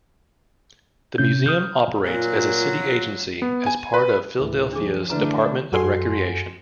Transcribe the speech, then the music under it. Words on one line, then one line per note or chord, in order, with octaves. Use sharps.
The Museum operates as a city agency as part of Philadelphia's Department of Recreation.
C3 C#4 G6
D#6 F6 G6
A#2 F#3 F4
B3
G#5
B4
D2 A2 E3
C3 F3 D4 G#4
D3 E3 A3 D4 B4 A5 A#5
F#2 F#4 A4 G#5 C6 C7